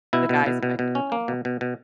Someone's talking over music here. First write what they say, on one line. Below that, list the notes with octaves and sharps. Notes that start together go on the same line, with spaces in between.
the guys in my family.
B2 E4
B2
B2
B2
B2
C#4
A#3
B2
B2
B2